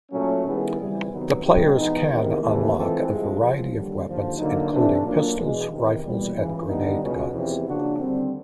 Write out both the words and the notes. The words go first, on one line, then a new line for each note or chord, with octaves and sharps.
The players can unlock a variety of weapons, including pistols, rifles, and grenade guns.
A#2 F#3 A3 C#4
D#3 G3 B3 E4 G#4
C#2 C3 E3 G3
C3 D#3 F#3 B3
B2 G3 C4 D#4 G4
E3 G#3 B3 D#4
E2 C3 D#3
D#2 C#3 E3 A3
E3 G#3 C4 F4 A4
C2 C3 F3 G#3
C#2 C#3 F3
D#2 D3 G3
D#2 D3 F3
D3 F#3 A#3 D#4
C3 E3 A3 D4
A#2 F#3 A#3 D4
E2 B2 G#3
E2 C3 D#3
E2 B2 G3 A#3
C#2 C#3 E3
D#2 D3 G3 B3 D#4
C#2 B2 G#3 C#4
E2 C3 F3
C#3 F3 A#3 D4 F#4
D#2 D3 G3 C4